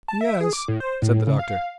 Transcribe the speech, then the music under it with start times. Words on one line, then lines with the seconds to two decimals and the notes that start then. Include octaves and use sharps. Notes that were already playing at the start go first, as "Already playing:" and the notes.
"Yes," said the doctor.
0.08 A5
0.21 E5
0.41 G#4
0.53 D6
0.68 A2
0.80 C5
1.02 A2
1.27 C#3
1.39 F5